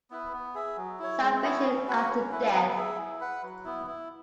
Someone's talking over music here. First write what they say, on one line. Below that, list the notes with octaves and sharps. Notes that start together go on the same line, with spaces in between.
Salvation after death.
B3 E4 B4
B3
G#4 E5
F#3
E4 C#5
G#3
B3 E4 C#5
C#4
F#4 B4 F#5
C#4
E4 B4
B3
G#4 E5
E4
B4 F#5
F#3
B3 E4
E4